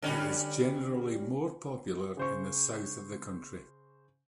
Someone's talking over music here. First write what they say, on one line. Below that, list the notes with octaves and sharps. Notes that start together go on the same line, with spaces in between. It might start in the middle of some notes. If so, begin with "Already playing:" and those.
It is generally more popular in the south of the country.
D3 G3 C#4
C#3 C5 C#6